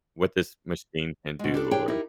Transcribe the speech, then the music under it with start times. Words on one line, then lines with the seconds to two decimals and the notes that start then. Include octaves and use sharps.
what this machine can do," or
1.39 B2 G#3
1.54 D4 G4 A4
1.71 D4 E4 G4 G#4 C#5 G5
1.88 D#4 E4 G4 A#4